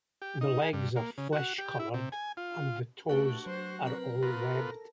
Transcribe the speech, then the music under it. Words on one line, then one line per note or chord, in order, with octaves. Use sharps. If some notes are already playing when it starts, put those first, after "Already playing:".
The legs are flesh-coloured and the toes are all webbed.
G4
D#4
G#4
G2
A#3
C#3
F#4
G4
E4
C3
G#5
F4
A3 D4 F#4 G4 B4
F#3 C5
C4 A#4 B4
B2 F4 B4 A#6
A4